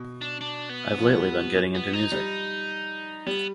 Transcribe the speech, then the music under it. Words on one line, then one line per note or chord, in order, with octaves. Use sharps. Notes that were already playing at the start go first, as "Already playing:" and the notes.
I've lately been getting into music.
Already playing: B2
D4
D4
B3
F3
G3
F3
B3
D#4
G3
G3 B3